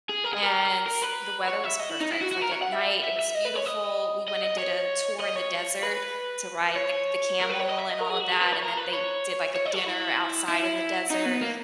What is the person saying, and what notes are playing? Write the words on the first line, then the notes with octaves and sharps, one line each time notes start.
and the weather was perfect, like, at night, it was beautiful. We went and did a tour in the desert to ride the the camel and all of that, and then they did, like, a dinner outside in the desert,
G#4
A#4
G#4
A#4
A#4
B4
C#5
E5
D#5
E4
D#4
E4
F#4
F#4
A#4
C#5
F#5
E5
E5
E5
D#5
B4
C#5
D#5
D#5
D#5
C#5
D#5
C#5
B4
C#5
A#4
B4
C#5
D#5
E5
D#5
A#4
G#4
F#4
G#4
B4
C#5
A#4
B4
C#5
C#5
D#5
F#4
E4
E4
D#4
B3
A#3